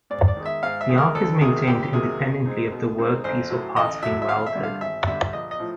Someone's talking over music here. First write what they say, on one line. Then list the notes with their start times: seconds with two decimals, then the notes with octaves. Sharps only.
The arc is maintained independently of the workpiece or parts being welded.
0.10 G#2 D5
0.28 D5
0.37 D#3 G#3
0.46 E5
0.63 G#2 F5
0.81 E5
0.89 D#3 G#3
0.98 A#4
1.15 D2 A4
1.41 C3 D#3 F#3 A#3 G#4
1.67 D2 G4
1.93 C3 D#3 F#3 A#3 G#4
2.20 B2
2.46 G#3 C4 D#4
2.72 B2
2.98 G#3 C4 D#4
3.24 A1 C5
3.50 A2 F#3
3.76 A1 D#5
4.03 A2 F#3 E5
4.22 E5
4.29 G#1 F5
4.46 E5
4.55 G2 D3 G3
4.63 F5
4.81 G#1 E5
5.07 G2 D3 G3 E5
5.33 A#1 D#5
5.51 D#5
5.59 A2 F3